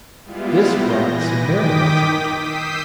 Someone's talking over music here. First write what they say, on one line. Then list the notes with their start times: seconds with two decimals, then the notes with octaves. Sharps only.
This brought some merriment in the camp.
0.25 G3 G#3 B3 E4 F4
0.66 A#2 G6 A#6
1.02 E3 B4 G#5 A#6
1.35 D#3 G5 D6 D#6 B6
2.35 D#6 E6 G6 B6 C7